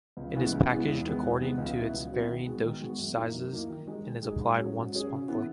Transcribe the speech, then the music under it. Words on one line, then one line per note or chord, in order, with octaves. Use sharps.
It is packaged according to its varying dosage sizes, and is applied once monthly.
C#2
C#3 E3 G#3 B3
C#2
C#3 E3 G#3 B3
E2
D#3 G#3 B3
E2
D#3 G#3 B3
C#2
B2 F#3 B3 E4
C#2
B2 F#3 B3 E4
D#3
G#3 B3 F#4
D#3
G#3 B3 F#4
F#2
E3 A#3 D#4
F#2
E3 A#3 D#4
D#3
G#3 D#4 G#4
D#3
G#3 D#4 G#4
G#2
F#3 C#4 G#4
G#2
F#3 C#4 G#4
C#3
E3 B3